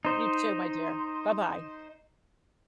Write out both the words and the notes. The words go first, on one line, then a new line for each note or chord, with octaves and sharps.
You, too, my dear. Bye bye.
D#4 C5